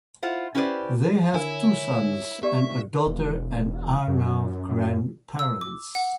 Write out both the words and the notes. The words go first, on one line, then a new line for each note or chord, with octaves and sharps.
They have two sons and a daughter, and are now Grandparents.
E4 F4 C5 F#5
C#4 E4 G4 B4 C5 D5
D3 D4 E4 A#4 C#5 G#5
B3 G4 D5 E5 C#6
E1
F#2
F#2
E6
D6
F#5